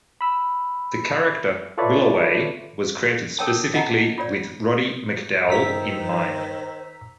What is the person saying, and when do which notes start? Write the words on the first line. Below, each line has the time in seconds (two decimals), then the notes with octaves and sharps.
The character Willaway was created specifically with Roddy McDowall in mind.
0.21 B5 E6
1.78 F4 A4 B4 C#5 D5 E5
3.39 A4 A#4 C#5 G5 A5
3.74 D#5 F#5 A5 A#5
4.18 F4 C#5 D5
5.49 G2 D#3 C5 A#5 E6 B6